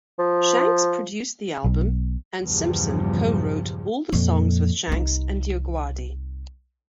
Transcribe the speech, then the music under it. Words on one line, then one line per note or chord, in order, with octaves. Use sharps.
Shanks produced the album, and Simpson co-wrote all the songs with Shanks and DioGuardi.
F3
B1
A#1 E2 G2 C#3 F3 G3
F2 A#2
C2 D#4